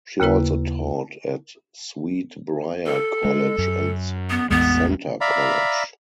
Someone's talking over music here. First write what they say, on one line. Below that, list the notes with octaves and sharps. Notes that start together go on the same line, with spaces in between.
She also taught at Sweet Briar College and Centre College.
D#2 C#3 A#3 E4 B4
A4
G#3
F#2
B3
A1 E2 G#3 B3
D5 E5 F5 A#5 B5